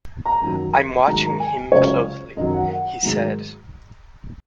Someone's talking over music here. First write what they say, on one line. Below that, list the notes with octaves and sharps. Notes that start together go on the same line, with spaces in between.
"I'm watching him closely" he said.
A#5
F#2 D#3 F#3
G#2 D#3 F#3 A#5
A#5
G#5
C#2 C#3 F#3 C#5
F#2 D#3 F#3 D#5
F#5
F#5
G#2 D#3 F#3